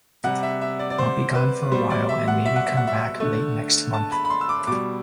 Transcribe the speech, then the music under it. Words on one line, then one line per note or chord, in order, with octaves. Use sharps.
I'll be gone for a while and maybe come back late next month.
C3 G3 F#5
E5
E5
D5
D5
C5
B4
B2 G3 C5
D5
E5
F#5
E5
F#5
E5
F#5
E5
D3 A3
A5
B5
B5
C6
E6
D6
B2 G3 D6